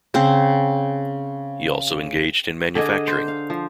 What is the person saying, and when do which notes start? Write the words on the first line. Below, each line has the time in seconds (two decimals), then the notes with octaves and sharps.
He also engaged in manufacturing.
0.14 C#3 C4
2.75 D3 D4 G#4 D#5
3.08 C5
3.28 F5
3.50 F3